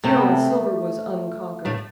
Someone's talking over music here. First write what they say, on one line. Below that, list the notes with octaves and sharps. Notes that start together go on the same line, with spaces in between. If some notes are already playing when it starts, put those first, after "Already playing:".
Still Silver was unconquered.
C3 A3 C4
B3
A3
A2 A3